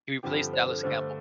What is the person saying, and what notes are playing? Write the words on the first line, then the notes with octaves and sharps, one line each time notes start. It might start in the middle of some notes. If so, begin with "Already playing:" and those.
He replaced Dallas Campbell.
G2 D3 F3 C4 G4
A4
C5
A4
G2 D3 A3 C5